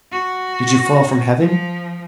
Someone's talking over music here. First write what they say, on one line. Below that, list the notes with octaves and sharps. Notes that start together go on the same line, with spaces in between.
Did you fall from heaven?
F#4
F3